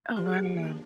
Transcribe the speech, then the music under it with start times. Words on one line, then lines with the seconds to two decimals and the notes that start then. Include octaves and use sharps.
Oh, wow.
0.16 F3 A#3 D4 G4
0.26 G#4
0.37 G4
0.57 A#3